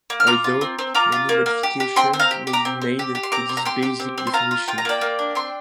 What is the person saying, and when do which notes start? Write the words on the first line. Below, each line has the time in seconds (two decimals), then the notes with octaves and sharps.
Although, "many modifications may be made to this basic definition".
0.10 A#3
0.20 F6
0.27 F4 A#5 D6
0.44 F4
0.61 C4
0.79 C4
0.95 F4 A#5 D6
1.12 F4
1.29 A#3
1.46 A#3
1.63 G4
1.80 G4
1.96 C4 G5 C6
2.13 C4
2.19 F5 A#5
2.31 G4
2.47 G4
2.53 A#5 D6
2.65 C4
2.82 C4
2.99 G4
3.15 G4
3.23 C6
3.32 C4 A#5 D6
3.49 C4
3.57 A#5
3.65 G4 G5 C6
3.83 G4
3.99 C4
4.18 C4
4.27 C6
4.34 F4 F5 A#5
4.51 F4
4.68 F4 G5
4.78 A#5
4.85 A#3 D5 G5
5.01 A#3
5.19 D4
5.35 C4 G5 C6